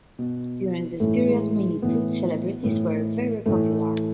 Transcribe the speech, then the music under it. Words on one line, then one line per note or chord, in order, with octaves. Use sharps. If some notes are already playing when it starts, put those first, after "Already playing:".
During this period, Mini-putt celebrities were very popular.
B2
A2 E3 A3
G#3
G#3
A2 E3 B3
A2 E3
A2 E3 A3